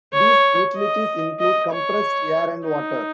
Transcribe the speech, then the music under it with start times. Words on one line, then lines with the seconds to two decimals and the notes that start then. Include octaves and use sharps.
These utilities include compressed air and water.
0.13 C#5
0.77 D#5
1.40 D#5
1.72 C#5
2.66 D#4